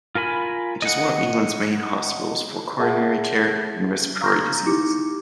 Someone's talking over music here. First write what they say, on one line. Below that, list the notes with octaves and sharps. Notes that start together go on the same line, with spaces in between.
It is one of England's main hospitals for coronary care and respiratory diseases.
F4 A#4 G#5 B5
D#5 F#5
G#4 A#4 C#5 E5 F#5 A5
F5 A#5 C#6 F6 G6 A#6
D#4 E4 G4 D6 C#7